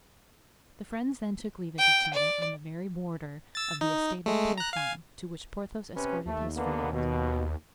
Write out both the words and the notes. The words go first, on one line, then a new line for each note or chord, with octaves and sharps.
The friends then took leave of each other on the very border of the estate of Pierrefonds, to which Porthos escorted his friend.
G5
D5
E6 A6
D#4
G#3 A3
A#5 F#6
F5 G#5
C3 C#4 B4
D#2 A3
D3 A#3 B3
B2